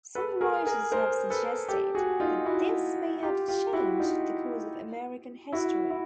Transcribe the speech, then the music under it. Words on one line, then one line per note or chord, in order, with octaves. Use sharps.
Some writers have suggested that this may have changed the course of American history.
A4 B4
G#4 A#4
G#4 A#4
A#4 C5
A4 B4
G4 A4
F#4 G#4
D#4 F4
E4 F#4
F4 G4
F4 G4
E4 F#4
D#4 F4
E4 F#4
E4